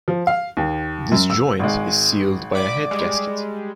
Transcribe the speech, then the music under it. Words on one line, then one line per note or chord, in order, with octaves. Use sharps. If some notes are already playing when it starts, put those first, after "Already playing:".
This joint is sealed by a head gasket.
F3
F5
D#2
F#2
E6
G#1 G#3
D5 B5 D6
G3 G#3